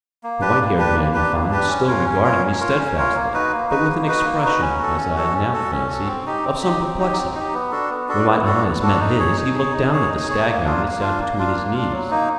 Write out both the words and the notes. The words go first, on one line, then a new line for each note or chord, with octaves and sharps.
The white-haired man I found was still regarding me steadfastly, but with an expression, as I now fancied, of some perplexity. When my eyes met his, he looked down at the staghound that sat between his knees.
A#3
D4 G4 B4
A#3
D4 G4 B4
A#3
D4 G4 B4
A#3
D4 G4 B4
C#4
F4 A#4 C#5
C#4
F4 A#4 C#5
C#4
F4 A#4 C#5
C#4
F4 A#4 C#5
A#3
D#4 F#4 B4
A#3
D#4 F#4 B4
A#3
D#4 F#4 B4
A#3
D#4 F#4 B4
C#4
F#4 A4
C#4
F#4 A4
C#4
F#4 A4
C#4
F#4 A4
C4
D#4 G4
C4
D#4 G4
C4
D#4 G4
C4
D#4 G4
B3
D4 F#4 A4
B3
D4 F#4 A4
B3
D4 F#4 A4
B3
D4 F#4 A4
D#4
G#4 C#5
D#4
G#4 C#5
D#4
G#4 C#5
D#4
G#4 C#5
A#3
D4 F4
A#3
D4 F4
A#3
D4 F4
A#3
D4 F4
F#3
A#3 D#4